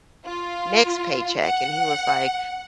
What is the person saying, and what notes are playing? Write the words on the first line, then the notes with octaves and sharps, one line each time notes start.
next paycheck.” And he was like,
F4
F#5